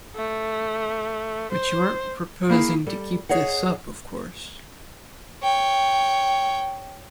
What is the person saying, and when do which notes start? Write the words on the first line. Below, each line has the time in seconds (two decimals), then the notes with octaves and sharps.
But you aren't proposing to keep this up, of course?
0.16 A3
1.52 C5
2.50 A#3 E4 G#4 F5
2.87 G3 A4
3.29 G#4 C#5 D#5 F#5
5.43 C#5 G5